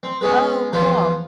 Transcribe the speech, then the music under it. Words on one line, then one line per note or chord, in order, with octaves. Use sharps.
Oh, cool.
C4
G#3 B3 C#4 G#4 B4
E2 F3 F4 B4 C5